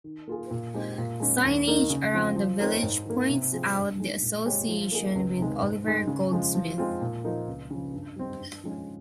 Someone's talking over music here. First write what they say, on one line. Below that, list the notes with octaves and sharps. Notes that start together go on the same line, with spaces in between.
Signage around the village points out the association with Oliver Goldsmith.
D#3
A#3 F4 G#4
A#2
G#3 C4 D#4 G4
A#2
G#3 C#4
D#2
D#3 A#3 D#4 A#4
C#3
F3 C4
F3
C4 D#4 A#4 C#5
G#2
D#3 A#3
C3
F3 C4 F4 G#4
G2
D#3 G#3 D#4
A#2
G#3 C4 G4 C#5
F3
A#3 D#4 G#4
C#2
C3 D#3 G#3
G#2
D#3 G#3
C#3
F3 G#3
F3
G#3 C4 F4
A#2
F3 A#3 D#4
C#2
C#3 F3
G2
G3 C4 D#4
G2
F3 G#3 C#4